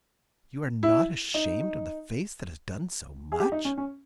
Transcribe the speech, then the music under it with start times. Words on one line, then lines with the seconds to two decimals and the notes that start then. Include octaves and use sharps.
You are not ashamed of the face that has done so much?'
0.83 E4
1.34 D#4
3.32 G#4
3.40 G4
3.52 D#4
3.65 C#4
3.78 C#4